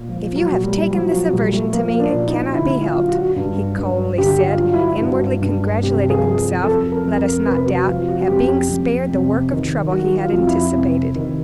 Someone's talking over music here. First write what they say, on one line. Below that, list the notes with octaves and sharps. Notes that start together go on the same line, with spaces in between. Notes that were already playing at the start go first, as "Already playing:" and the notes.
"If you have taken this aversion to me, it cannot be helped," he coldly said, inwardly congratulating himself, let us not doubt, at being spared the work of trouble he had anticipated.
Already playing: A#2
F3
F#3
A#2
G3
F3 F#3
F#3
A#2 G3
A3
F3 A#3
D4
A#2
D#4
D3 E4
F4
F#3
F#4
G2
G2
D3 G4
F4
F#3
E4
G2 F#4
G2
C3 G4
G#4
F3
F2 A4
A#4
F2
A#4
C3 B4
F#4
F3 F4
F#4
F2 G4
F2
C3
D#3
F#3 F#4
F4
F2
E4
C3
D#3